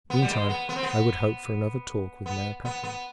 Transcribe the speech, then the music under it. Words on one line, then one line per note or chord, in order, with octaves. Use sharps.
Meantime, I would hope for another talk with Mayor Packard.
B3
G3
G#3
B3
B3
C4
B3
B3
B3
B3